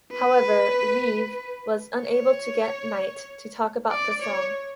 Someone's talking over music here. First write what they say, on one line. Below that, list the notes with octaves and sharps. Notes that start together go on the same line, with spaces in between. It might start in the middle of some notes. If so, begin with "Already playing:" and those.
However Reeve was unable to get Knight to talk about the song.
B4
C#5
D5
C#5